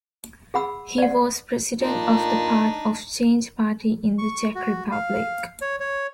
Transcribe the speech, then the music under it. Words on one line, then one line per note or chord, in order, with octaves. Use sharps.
He was president of the Path of Change party in the Czech Republic.
G#4 F#5 B5 E6
D5 F#5
A#2 D4 D#4
C#6
F#4
F5
C#5
C#5